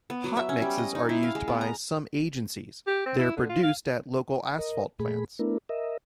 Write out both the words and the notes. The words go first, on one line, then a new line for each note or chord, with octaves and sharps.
Hot mixes are used by some agencies, they are produced at local asphalt plants.
B3
F#3
E5
C#4
G3
D#5
D#4
E4
F5
G#3
B3
A#5
G4
C4
E4
D3
F4
F5
A#4 D#5
A#2 A3 G#4 B5
A3 B3 D4 E4 A#4
A#4 D#5 E5